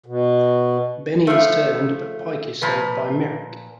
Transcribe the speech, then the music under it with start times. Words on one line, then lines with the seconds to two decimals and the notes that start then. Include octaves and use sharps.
Benny is turned but Pike is saved by Merrick.
0.06 B2
1.27 F3 A3
2.62 A#2 F3 B4